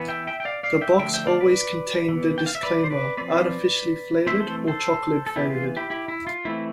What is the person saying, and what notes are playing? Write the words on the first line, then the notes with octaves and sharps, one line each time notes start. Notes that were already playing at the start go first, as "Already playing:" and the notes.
The box always contained the disclaimer "artificially flavored" or "chocolate flavored".
Already playing: E3 B3
E5 G5
E5 G5
G5
D5 F5
D5 F5
E5 G5
D3 F3 A3 E5 G5
E5 G5
D5 F5
B4 D5
E3 B3
G5
F5
E5
B4 D5
C5
B4 D5
F3 C4 B4 D5
E3 A3 C4 C5 E5
A4 C5
A4 C5
A4
E3 B3 E4 G4
F4
E4 G4
E4 G4
E4
F4
E3 A3 C4 E4